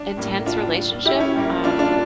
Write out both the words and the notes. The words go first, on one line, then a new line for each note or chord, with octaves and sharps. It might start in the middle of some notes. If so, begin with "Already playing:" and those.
intense relationship, um
Already playing: D4
A2 G3 A#3
D4 F4
E4 G4
C#4 E4
A#2 G3 A#3
D4 F4
D4 F4